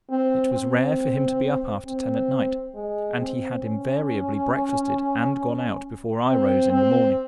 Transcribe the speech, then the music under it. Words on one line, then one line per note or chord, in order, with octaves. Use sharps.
It was rare for him to be up after ten at night, and he had invariably breakfasted and gone out before I rose in the morning.
C4
C4
C4
G#3
C4
C#4
C4
C4